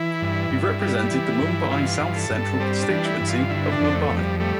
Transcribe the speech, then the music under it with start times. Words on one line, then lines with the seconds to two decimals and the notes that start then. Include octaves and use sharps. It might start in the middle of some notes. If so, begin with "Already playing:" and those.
He represented the Mumbai South Central constituency of Mumbai.
Already playing: E3 E4
0.22 G2
0.51 G2
0.80 G3
1.11 E3
1.41 G2
1.71 E3 F4
2.00 G2
2.16 A4
2.30 G2
2.60 G3 C4
2.83 D4
2.90 E3
3.05 E4
3.21 G2
3.28 F4
3.50 D3 E4
3.72 D4
3.80 F2
3.94 A3
4.10 F2
4.18 G3
4.40 G3 A3